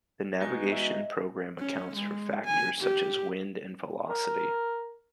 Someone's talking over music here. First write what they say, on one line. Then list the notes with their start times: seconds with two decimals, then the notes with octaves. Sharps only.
The navigation program accounts for factors such as wind and velocity.
0.41 E3 G#3 B3 D#4 F#4 B4 G#5 C#6
0.71 D#5 E5
1.59 C#4
1.96 G#3
2.46 G#5
2.81 G4
4.09 A#4